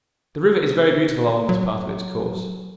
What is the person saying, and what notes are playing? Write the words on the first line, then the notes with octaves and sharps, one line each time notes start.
The river is very beautiful along this part of its course.
F#3